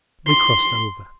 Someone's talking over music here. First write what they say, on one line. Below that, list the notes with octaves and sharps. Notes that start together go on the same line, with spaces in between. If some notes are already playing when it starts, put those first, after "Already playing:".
We crossed over.
C6